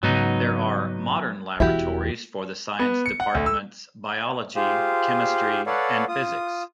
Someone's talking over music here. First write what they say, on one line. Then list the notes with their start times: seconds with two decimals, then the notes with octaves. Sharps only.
There are modern laboratories for the science departments: Biology, Chemistry and Physics.
0.03 G#2 C#3 F#3 B3 D#4
1.60 E1 E2 E3 E4 F#4 G4
2.79 B3
3.06 C#7
3.20 F#5
3.35 D2
3.46 E6
4.56 F4 G4 G#4 C5 F5
5.66 A4 B4 C#5 D5 F5 F#5
6.08 F4 D#6